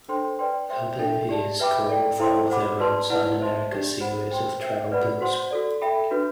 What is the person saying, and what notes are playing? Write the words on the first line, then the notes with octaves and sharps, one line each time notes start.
Kirby is co-author of the "Roadside America" series of travel books.
D4 A4 C5 G5 C6
B4 D5 G5 C6
C5 E5 G5 C6
D4 A4 E5 G5
G4 D5 A5
B4 E5 G5 B5 D6
A4 D5 G5
E4 A4 C5 G5 C6
C5 F#5 B5 D6
F#4 B4 D5 A5 C6
E4 B4 D5 F#5 A5
C5 E5 A5 C6
D4 G4 D5
C5 F#5 B5
C5 G5 C6
C5 E5 G5
B4 D5 F#5 B5
F#4 C5 F#5 C6
F#4 A4 D5
A4 E5 G5 B5
D4 F#4 B4